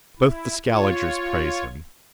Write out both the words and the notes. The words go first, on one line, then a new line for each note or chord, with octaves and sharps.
Both the Scaligers praise him.'
E4
F4 C#5